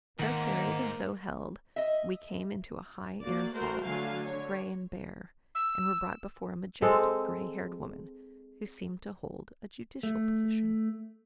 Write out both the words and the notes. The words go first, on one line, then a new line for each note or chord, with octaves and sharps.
So carried and so held, we came into a high inner hall, gray and bare, and were brought before a majestic gray-haired woman who seemed to hold a judicial position.
G#2 D#3 A#3 F#5
D#5 E5
A#3 F#4 D5
A3 F#4 A#4 C5
D3 F#3 A3 F5 G#5
D3 C#5
E6
G#3 C4 A4
A3